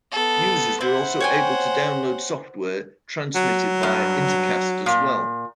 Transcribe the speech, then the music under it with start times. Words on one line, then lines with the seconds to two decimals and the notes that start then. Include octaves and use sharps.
Users were also able to download software transmitted via Intercast as well.
0.12 B3 A4
0.81 C4 E4 C5 F#5
1.20 C#5 G5 G#5
3.35 F#3
3.83 G2
4.86 A#2